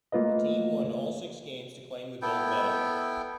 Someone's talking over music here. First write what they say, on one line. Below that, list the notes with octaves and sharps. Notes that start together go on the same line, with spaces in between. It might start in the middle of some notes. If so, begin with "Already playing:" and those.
The team won all six games to claim the gold medal.
A3 A#3 F4 B4 D#5
B3 E4 A4 G5